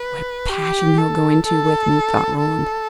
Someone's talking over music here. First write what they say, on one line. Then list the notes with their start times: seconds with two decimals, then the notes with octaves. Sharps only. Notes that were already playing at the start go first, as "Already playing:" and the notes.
"What a passion he'll go into with me!" thought Roland.
Already playing: B4
0.49 G4
0.98 A4
1.45 A4
2.40 A4